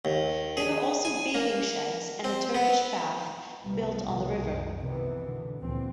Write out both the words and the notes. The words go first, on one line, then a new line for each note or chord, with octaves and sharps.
There were also bathing sheds and a Turkish Bath built on the river.
D#2
G#4
G#5
A#3
C4
B3
C2 G3 B3
C2 B2 D#3
F#2
C3 D#3 E3 B3
B2 D3
D2 A#2 D3 E3 C4